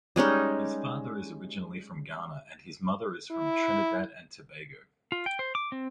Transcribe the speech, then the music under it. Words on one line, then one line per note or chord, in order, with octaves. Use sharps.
His father is originally from Ghana and his mother is from Trinidad and Tobago.
G3 G#3 C#4 D#4
E4
F4
G5
C5
D6
C4